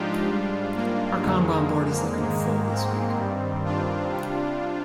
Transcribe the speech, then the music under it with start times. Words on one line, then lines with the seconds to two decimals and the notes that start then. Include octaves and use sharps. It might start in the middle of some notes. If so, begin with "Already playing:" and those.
Our Kanban board is looking full this week.
Already playing: G#2 F3 G#3 D4 D#4 F4 G4
0.27 G#2 G3
0.75 A#3
1.24 F2 D3 G#3
2.20 G#2 D#3 G#3
2.69 C4
3.16 G2 D#3 G3
3.65 D4 F4
4.13 C3 G3